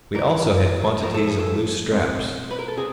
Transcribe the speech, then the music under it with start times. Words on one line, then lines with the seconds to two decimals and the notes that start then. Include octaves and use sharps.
We also had quantities of loose straps.
0.14 G#2 E3 G3 A#4
1.02 A2 F3 A3 A#4
1.14 A4
1.27 G#4
1.40 A4
1.90 B2 G#3 C4
2.51 B4
2.59 A#4
2.68 A4
2.77 C3 G#4